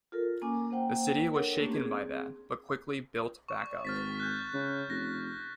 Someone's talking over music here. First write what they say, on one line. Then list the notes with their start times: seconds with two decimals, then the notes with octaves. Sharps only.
The city was shaken by that, but quickly built back up.
0.12 F4 A4 A#4
0.42 A#3 C#4 G#5 D6
0.71 A#3 C5 F#5 G5
1.34 D4 A4 A#4 C#5 F#5
1.59 A3 A#3 C#4 D4 G4
1.70 C4 G#4
3.48 C#6
3.85 G#1 F6 A6 B6
4.20 F#6 G6
4.54 C#3
4.90 F1 A#6